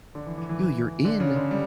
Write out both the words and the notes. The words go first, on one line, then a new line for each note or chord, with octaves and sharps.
yo, you're in
D3
E3
E3
E3
E3
D3
C#3
D3
G3